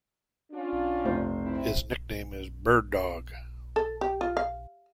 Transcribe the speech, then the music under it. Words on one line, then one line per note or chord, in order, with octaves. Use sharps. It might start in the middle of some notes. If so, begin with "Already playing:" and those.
His nickname is Bird Dogg.
C#4 D4 F4
F1 C5
C4 E4
A4
G4
F4
F5